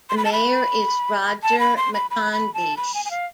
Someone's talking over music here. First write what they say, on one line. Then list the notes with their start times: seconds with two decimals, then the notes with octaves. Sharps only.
The mayor is Roger McCondiche.
0.10 C6
0.17 B5
0.25 A5
0.33 B5
1.43 A5
1.60 B5
1.77 C6
1.94 B5
2.11 B5
2.33 B5
2.54 A5
2.77 B5
2.94 G#5
3.05 G#5
3.11 F5